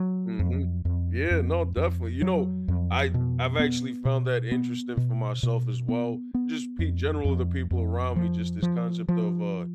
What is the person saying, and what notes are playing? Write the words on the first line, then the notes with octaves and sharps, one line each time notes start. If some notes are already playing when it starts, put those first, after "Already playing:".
Mhm. Yeah, no, definitely, you know, I I've actually found that interesting for myself as well, just pe general the people around me, just this concept of, uh, I
Already playing: F#3
F2
F2
F2
F2
F#3
F2
B2
B3
B2
B3
B2
B2
B3
B3
F2
F2
F2
F3
F3
F3